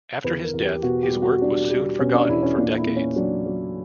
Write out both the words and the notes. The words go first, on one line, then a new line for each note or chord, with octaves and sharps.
After his death his work was soon forgotten for decades.
E2 B4
A#4
E2
G4
B2 F#4
G4
G3
F#4
G3 D4
G3
B2 C#4
D4
E2 E4
C#4
A#2 D4
E4
A#2
C#4
F#3 D4
F#3